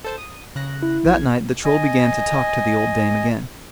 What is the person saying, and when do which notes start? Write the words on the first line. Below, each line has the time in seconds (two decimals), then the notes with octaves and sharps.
That night the Troll began to talk to the old dame again.
0.04 A4 C5 A5
0.18 D#6
0.55 C#3 F#6 A#6
0.83 E4
1.05 A#1 G#6
1.65 D#5 G#5